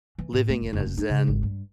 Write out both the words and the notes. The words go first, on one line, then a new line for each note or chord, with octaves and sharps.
living in a Zen
E3
A2
A3
F1
F#1
F1
D#4
C#3
G#1
G2